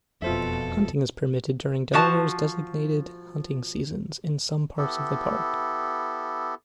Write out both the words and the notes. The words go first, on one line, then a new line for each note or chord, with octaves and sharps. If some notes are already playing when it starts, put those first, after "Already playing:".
Hunting is permitted during Delaware's designated hunting seasons in some parts of the park.
E1 F2 B2 F4 A4 C5 E5
F3 F#4 A5
B3 E4 G4 A4